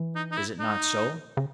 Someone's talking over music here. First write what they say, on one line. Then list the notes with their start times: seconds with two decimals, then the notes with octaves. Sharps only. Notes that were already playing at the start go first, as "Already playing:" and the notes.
Is it not so?
Already playing: E3
0.15 D#4
0.31 D#4
0.37 E4
0.59 D#4
1.37 C#3